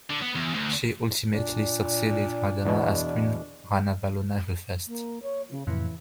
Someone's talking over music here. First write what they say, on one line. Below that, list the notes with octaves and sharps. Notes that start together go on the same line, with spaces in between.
She ultimately succeeded Radama as Queen Ranavalona the First.
D3
B3
E2
D2
A#2 D4
E2 B2
A#3
C#5
C#3
F2 A2 C3 E3